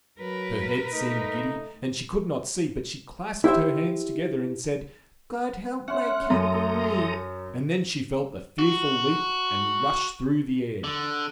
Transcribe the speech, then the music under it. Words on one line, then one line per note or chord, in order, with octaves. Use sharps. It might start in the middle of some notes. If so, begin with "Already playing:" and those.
Her head seemed giddy, and she could not see, but she clasped her hands together and said, "God help my Kangaroo!" and then she felt the fearful leap and rush through the air.
F#3 A#4 B4
A3 D#4
E4 G4 C5 E5
C#4 E5 F#5 C6
F#2 A4 A#5 D#6
F#4
D3